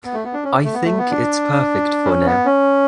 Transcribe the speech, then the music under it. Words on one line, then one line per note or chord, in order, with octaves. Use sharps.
I think it's perfect for now.
B3
A3
B3
D4
C#4
A3
B3
A3
B3
D4
C#4
B3
C#4